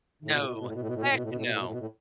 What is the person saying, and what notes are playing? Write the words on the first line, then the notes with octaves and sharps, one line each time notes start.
No. Heck no.
A2
B2
A2
B2
A2
B2
A2
B2
A2
B2
A2
B2
A2
B2
A2
B2
A2
B2
A2
B2
A2
B2
A2